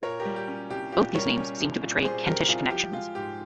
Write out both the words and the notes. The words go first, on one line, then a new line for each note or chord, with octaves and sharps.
Both these names seem to betray Kentish connections.
A#2 A#4 C#5
G4 A#4
G3
G4
C#4
C2 G4
A#2 G4
G3 A#4 C#5
C#4
C2
A#2
G3 G#4 C5
C#4 G4 A#4
C2 F4 G#4
F3 G4
G#3 F4
G#2 G4